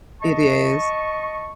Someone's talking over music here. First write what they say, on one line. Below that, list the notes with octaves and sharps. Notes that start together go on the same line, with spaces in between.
It is.
D#5 A5 C#6